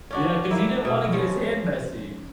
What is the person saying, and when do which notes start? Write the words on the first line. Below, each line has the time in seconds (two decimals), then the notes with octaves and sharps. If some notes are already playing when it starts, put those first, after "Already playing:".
Yeah, 'cause he didn't wanna get his hand messy.
0.11 C#4 D4 F#4
0.51 A#3 E4
0.85 B2 E5
1.13 C#3 F3 C#4